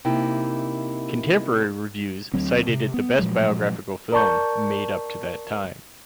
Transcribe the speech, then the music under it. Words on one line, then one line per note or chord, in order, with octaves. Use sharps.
Contemporary reviews cited it the best biographical film made up to that time.
C3 A#3 D#4 E4
D2 F#3 C4
C3
B3
A#2 F3 F#3 G#3
A#4 D5 A5 C#6 G6